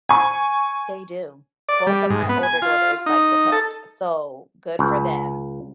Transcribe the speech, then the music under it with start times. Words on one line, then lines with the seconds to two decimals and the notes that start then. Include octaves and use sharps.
They do. Both of my older daughters like to cook, so good for them.
0.09 G#5 C#6
1.69 D5
1.87 G3
2.10 G#2
2.29 B3
2.43 G#5
2.62 F4
3.06 D#4
3.52 A4
4.79 C#2